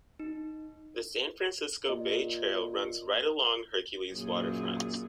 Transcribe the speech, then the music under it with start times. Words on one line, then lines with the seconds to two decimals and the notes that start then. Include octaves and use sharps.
The San Francisco Bay Trail runs right along Hercules waterfront.
0.20 D#4
1.89 A#2 D#5
4.12 F#2 A#2 G#4